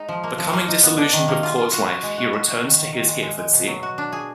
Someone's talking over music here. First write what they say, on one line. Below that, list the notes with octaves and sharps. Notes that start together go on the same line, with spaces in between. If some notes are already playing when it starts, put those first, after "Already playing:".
Becoming disillusioned with court life he returned to his Hereford see.
Already playing: G#3 D#4
F3
A#3
F3
A#3
D#4
B3
D4
D#3
A#3
F4
F4
F#4
F#4
G#3
F#4
F#4
F#4
D#3
D#3
D#3
G#3
G#3
G#3
B2
F#3
F#4
D4
G#4